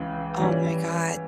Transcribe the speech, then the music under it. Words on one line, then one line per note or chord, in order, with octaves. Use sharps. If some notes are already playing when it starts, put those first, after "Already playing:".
Oh my god.
Already playing: C#2 C#3 E3
E3 G3 C#4